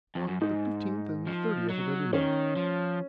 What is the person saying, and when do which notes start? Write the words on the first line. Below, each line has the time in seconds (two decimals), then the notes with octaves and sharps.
"On the fifteenth and thirtieth of every month."
0.15 F2
0.28 F#2
0.41 G#2 D#4
1.27 F3
1.69 F#3
2.13 D#3 C#4
2.56 F3